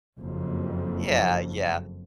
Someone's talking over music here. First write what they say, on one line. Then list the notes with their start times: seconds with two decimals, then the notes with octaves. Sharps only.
yeah, yeah.
0.18 F#1 F2